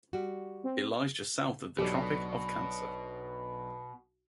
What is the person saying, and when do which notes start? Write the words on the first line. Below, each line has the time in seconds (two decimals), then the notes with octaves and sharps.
It lies just south of the Tropic of Cancer.
0.13 G3 F#4
0.64 C4
1.78 B1 B2 D4 G4 A4